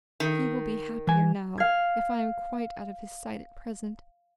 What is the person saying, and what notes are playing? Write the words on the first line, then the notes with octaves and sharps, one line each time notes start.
He will be happier now if I am quite out of his sight at present.
D#3
E3 G#5
F5 G#6